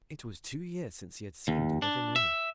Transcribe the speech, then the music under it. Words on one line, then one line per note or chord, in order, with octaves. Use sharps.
It was two years since he had seen the living woman.
D#2
D4
E5